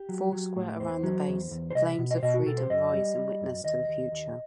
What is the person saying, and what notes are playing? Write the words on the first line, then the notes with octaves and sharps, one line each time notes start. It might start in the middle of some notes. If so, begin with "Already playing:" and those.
Foursquare around the base, flames of freedom rise in witness to the future.
Already playing: G4
F#3
F#3
A2
E2 C5
F#3
E2
E2
C5
C2 D#5
E5
B2
D#5
C5
B2 D#5
F#4
B2 A4
C5
F#2 D#5
G3
G3
F#2
D#2 D#5
D#2
D#2